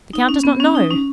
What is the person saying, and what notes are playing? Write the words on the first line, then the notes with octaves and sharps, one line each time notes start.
"The count does not know?"
D#4
C#4
B3
C#4
D#4
C#4